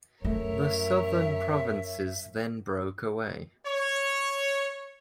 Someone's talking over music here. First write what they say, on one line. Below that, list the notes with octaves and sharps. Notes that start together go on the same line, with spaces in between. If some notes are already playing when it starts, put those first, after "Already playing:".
The southern provinces then broke away.
F#2 A3 A#4 C#5 E5
C#5